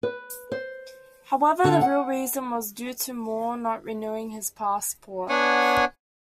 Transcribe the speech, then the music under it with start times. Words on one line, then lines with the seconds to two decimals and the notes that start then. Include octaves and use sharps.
However, the real reason was due to Moore not renewing his passport.
0.03 B4
0.52 C5
1.64 D3
1.81 F#5
5.29 B3 D4 C#5 F#5 G#5